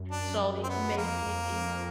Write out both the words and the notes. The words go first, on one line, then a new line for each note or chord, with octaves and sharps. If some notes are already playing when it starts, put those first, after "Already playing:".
So it may give I
Already playing: F#2
D4
C4
B3
F2 A#3
F2